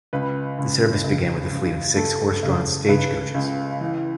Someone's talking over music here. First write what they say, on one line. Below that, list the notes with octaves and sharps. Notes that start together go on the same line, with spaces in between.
The service began with a fleet of six horse-drawn stagecoaches.
C#2 B4
C#2
C#3
C#2
A3 A4
C#3
C#3 B4
C#2
E3